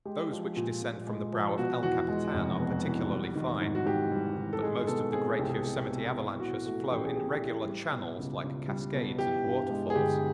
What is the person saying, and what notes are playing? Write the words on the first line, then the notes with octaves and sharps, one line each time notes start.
Those which descend from the brow of El Capitan are particularly fine; but most of the great Yosemite avalanches flow in regular channels like cascades and waterfalls.
G#3 G4
F3
A#2
A#2
G#3
F3
B2 F#4
E2 F#4
G#3
F1
B2
E2
G3
D#3
G#2
F#4
G#2 G4
G3
D#3
A4
G#3 G#4
B2 A4
C4 G#4
C2 G4
G#4
G#3 G4
B2
E3
A2 F#4
A3 F#4
A1 G4
G#4
E3 G4
A2
G3
B2
C#2
C#2
G3
B2
E3 G4
G2
G#3
G#4
G1 G4